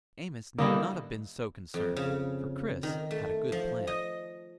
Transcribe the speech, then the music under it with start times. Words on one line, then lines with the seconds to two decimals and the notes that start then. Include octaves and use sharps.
Amos need not have been so concerned, for Chris had a good plan.
0.58 D3 F#3 G3 A#3 D#4 E4
1.74 F2
1.97 C#3
2.83 D#3
3.11 A3
3.52 F3
3.87 D#5